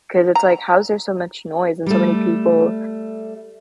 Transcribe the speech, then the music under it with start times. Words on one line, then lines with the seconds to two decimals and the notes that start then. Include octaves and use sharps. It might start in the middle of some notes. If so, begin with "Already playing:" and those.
'cause it's like, how is there so much noise and so many people,
0.35 A#5
1.86 G3 A3